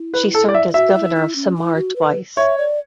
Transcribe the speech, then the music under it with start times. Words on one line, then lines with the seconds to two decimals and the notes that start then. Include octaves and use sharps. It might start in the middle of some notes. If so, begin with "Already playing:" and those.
She served as governor of Samar twice.
Already playing: E4
0.14 B4
0.34 A4
0.49 D5
0.54 E5
0.69 E4
0.74 F#4 E5
0.95 E4
1.16 E4
1.36 C#4
1.56 E4
1.76 F#4
1.96 B4
2.37 C#5 E5
2.58 D5